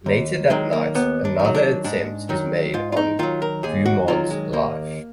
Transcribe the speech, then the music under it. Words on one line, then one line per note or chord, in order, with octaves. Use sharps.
Later that night, another attempt is made on Drummond's life.
D#2
D#3 F#3 G#3
A#3
D#2 B3
D4
D#3
F#3
D4
G#2 D4
D#3 F#3
G#2 F4
F4
D#4
D#3 F#3 F4
A#4
D#2 G#4
F#4
D#3 F#3 F4
G#3
D#2 A#3